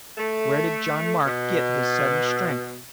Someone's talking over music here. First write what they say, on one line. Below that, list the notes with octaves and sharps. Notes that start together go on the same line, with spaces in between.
Where did John Mark get his sudden strength?
A3
B2